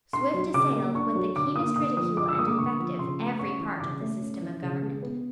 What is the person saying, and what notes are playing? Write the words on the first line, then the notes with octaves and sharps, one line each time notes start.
Swift assailed, with the keenest ridicule and invective, every part of the system of government.
D4 C6
F#3
C#3 D6
A#3
D4 C#6
F#3
D3 D6
A#3 D#6
D3 D#6
F3 D#6
D3 D6
E6
A#3 D#6
D6
D3 C#6
F3
C#3 C6
A3
C#4 C#6
E3
C#3 D6
A3
C#4
E3
C#3
G#3
B3